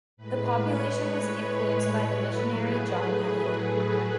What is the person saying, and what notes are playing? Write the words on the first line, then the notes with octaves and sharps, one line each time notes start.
The population was influenced by the missionary John Eliot.
A2 G#3 B4
C#5
A2 F#3 A3 B4
G#4
G#4